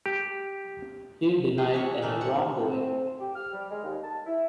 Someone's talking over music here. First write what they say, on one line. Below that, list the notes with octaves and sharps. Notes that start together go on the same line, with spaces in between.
He denied any wrongdoing.
G4
G#4
E3 C#5
D#3 E3 A3
F#5
C4
G4
F6
G3
G#3
D#2
A5
E4